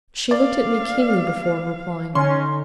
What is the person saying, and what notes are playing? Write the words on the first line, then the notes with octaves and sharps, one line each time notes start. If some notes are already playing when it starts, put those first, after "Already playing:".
She looked at me keenly before replying.
D5 F5
D3 C#4 D#4 C6